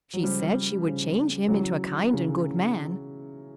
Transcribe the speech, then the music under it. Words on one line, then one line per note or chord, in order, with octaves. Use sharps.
"She said she would change him into a kind and good man."
F#3
C#3 F3 G3
C#3 F3
C#3 E3 F#3
C#3 E3